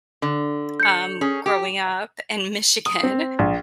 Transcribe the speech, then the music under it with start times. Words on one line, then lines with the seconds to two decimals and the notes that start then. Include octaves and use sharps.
um, growing up in Michigan
0.22 D3
0.80 G6 C#7
1.21 C#4 G#4
1.46 G4
2.86 D#6
3.03 C4
3.39 A#1